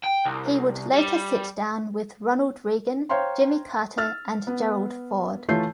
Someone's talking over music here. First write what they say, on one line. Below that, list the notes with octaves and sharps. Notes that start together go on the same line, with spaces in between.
He would later sit down with Ronald Reagan, Jimmy Carter, and Gerald Ford.
G5
C2
G3
C5 C#5 F5 G5 A#5 C6
E6 F6 A6
B3
E3 A3 F4 C#5 G6 C7